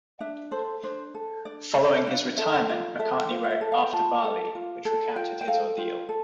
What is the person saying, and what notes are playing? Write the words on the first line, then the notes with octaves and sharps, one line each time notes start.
Following his retirement, McCartney wrote "After Bali", which recounted his ordeal.
D4 E5
A4 C5
D4 C5
A4
D4 D5
A4 E5
D4 F5
A4 E5
F4 D5
A4 E5
F4 C5
F5
E5
A4
F5
G5
F4 A5
A4
F4
A4
F4 G5
G5
A4 F5
F4 G5
A4